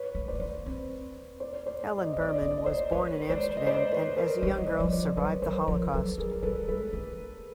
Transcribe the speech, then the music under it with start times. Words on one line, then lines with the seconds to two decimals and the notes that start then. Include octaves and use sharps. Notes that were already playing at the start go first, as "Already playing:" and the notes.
Helen Berman was born in Amsterdam and as a young girl survived the Holocaust.
Already playing: B4 C#5
0.15 A3
0.28 A3 C5 D5
0.40 A#3
0.66 C4
1.40 C5 D5
1.66 C5 D5
1.91 D5
1.98 D#5
2.07 D5
2.13 D#5
2.16 C4
2.21 D5
2.29 D#5
2.35 D5
2.41 C4 D#5
2.51 D5
2.58 D#5
2.66 A#3 C5 D5
2.91 A3 B4 C#5
3.29 G#3 C5 D5
3.57 D#5
3.67 C5 D5
3.92 B4 C#5
4.17 A#4 C5
4.42 G3 B4 C#5
4.58 D#5
4.67 C5 D5
4.80 F3
4.92 C5 D5
5.17 F#3 B4 C#5
5.36 B4
5.42 F#3 A#4 C5
5.58 B4
5.68 F3 A#4 C5
5.93 F#3 A4 B4
6.18 G3 G#4 A#4
6.31 A#4
6.43 G3 A4 B4
6.68 G#3 A4 B4
6.93 A#3